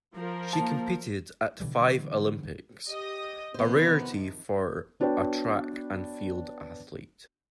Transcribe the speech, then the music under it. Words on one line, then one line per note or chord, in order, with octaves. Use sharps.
She competed at five Olympics, a rarity for a track and field athlete.
F3 A#4
A#3 A5
B2 D3 E3 G3
G4 D#5 D#6
C3 D#3 F3 B3 C5
B3 D4 F#4 B4 C#5 G5